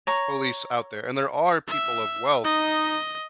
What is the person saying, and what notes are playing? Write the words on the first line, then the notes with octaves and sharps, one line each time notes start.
police out there, and there are people of wealth
C#5 A#5
E5
D#4 D#5